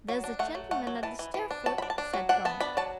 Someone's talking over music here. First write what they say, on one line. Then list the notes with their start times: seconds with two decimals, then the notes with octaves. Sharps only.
"There's a gentleman at the stairfoot," said Tom.
0.08 F#3
0.24 D4
0.39 A3 F#5
0.55 F#3
0.71 A3 F#5
0.87 F#3
1.03 E3 A5
1.19 E3
1.34 E3
1.51 D4
1.66 F#3 A5
1.78 B5
1.82 D4
1.90 A5
1.98 D4
2.13 F#3
2.29 D4 F#5
2.45 B3 A5
2.60 D4 B5
2.77 F#3 A5